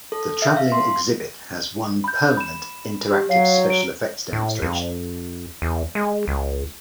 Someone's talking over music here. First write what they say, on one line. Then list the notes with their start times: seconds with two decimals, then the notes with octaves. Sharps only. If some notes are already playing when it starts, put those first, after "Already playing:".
The traveling exhibit has one 'permanent' interactive special effects demonstration.
0.12 A4
0.42 E5
0.57 F5
0.72 C6
2.04 B5 G6
2.37 B5 E7
3.11 G4
3.29 F#3 C#5 F5 C7
3.70 D7
4.33 A2
4.62 F2
5.62 E2
5.95 G#3
6.28 C#2